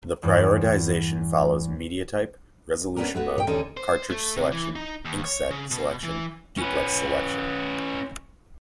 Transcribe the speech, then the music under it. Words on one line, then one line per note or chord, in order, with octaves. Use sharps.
The prioritization follows: media type, resolution mode, cartridge selection, inkset selection, duplex selection.
E2 G2
B3 C#4 D4 G4 G#4 A#4
A3 B3 F#4
A#2 C#5 G5
D#2 D3 C#4 D#4 G#4
C5
A3
C3
E3
D#4
D#2
C#5
C#3
B2
E3
C#4 B4